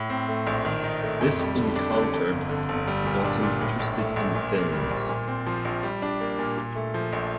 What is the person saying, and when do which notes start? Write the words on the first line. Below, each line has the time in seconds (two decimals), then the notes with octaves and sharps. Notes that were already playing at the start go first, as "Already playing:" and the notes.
This encounter got him interested in films.
Already playing: A2
0.10 C4
0.28 A3
0.47 A#1
0.65 D#3
0.84 D#4
1.02 A3
1.21 F2
1.39 G3
1.57 D3
1.76 D4
1.95 D3
2.13 F2
2.32 G1
2.49 D3
2.69 G1
2.87 G3
3.06 A#2
3.24 D4
3.43 A#2
3.61 A2
3.79 A#1
3.98 A3
4.16 A#1
4.35 A#2
4.53 A#3
4.72 G3
4.91 A#1
5.09 A#2
5.28 C4
5.47 F3
5.65 A#1
5.83 G3
6.02 D4
6.21 A#3
6.39 A#2
6.58 A#2
6.76 A3
6.94 F3
7.13 A#1